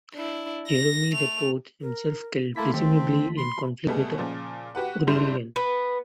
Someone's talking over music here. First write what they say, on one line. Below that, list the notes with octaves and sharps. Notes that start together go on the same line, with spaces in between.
Jerome reports him killed, presumably in conflict with Aurelian.
D4 E4
A#6
A3 F7
A#4
A3 A#3 E4 A5 C6 B6
D#2 C4
B5 C6
B2 G3 A3 G#4
A#2 C#3 F3
F#4 G4 B4 F#5
G#1 G2 G3 E4 C6 G6
B3